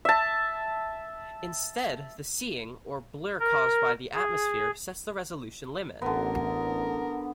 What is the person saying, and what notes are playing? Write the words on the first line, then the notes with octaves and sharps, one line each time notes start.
Instead, the seeing, or blur caused by the atmosphere, sets the resolution limit.
E5 A5
A#4
G#4
A1 D3 B3 A#4